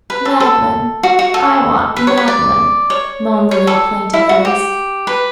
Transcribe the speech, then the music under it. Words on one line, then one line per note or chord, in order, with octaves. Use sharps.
"Mad'len--I want Mad'len," moaned the little plaintive voice.
B4
A4
A4
F#4
F#4
A4
B4
C#5
B4
D5
C#5
C#5
A4
E4
F#4
G4
B4